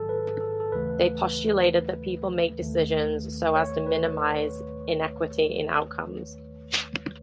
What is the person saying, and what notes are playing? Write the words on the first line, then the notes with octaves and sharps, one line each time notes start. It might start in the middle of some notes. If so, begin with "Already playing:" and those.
They postulated that people make decisions so as to minimize inequity in outcomes.
Already playing: G#1 G#2 D#3 F#3 G#4 A4
B4
A4
A4
D#2 C#3 E3 A3 B4
D#2 D#3 A3
C#5
B4